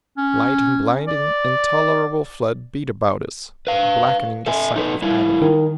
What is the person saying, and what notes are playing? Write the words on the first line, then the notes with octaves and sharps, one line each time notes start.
Light in blinding, intolerable flood beat about us, blackening the sight with agony.
C#4
D5
B4 F5
A4 E5 G#5
D#4 A4 B4
G3 E4 F5
D#3